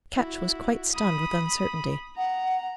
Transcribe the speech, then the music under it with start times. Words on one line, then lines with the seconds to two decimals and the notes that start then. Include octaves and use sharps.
Ketch was quite stunned with uncertainty.
0.16 E4 F#4
0.94 B5 D#6
2.17 F#5 A#5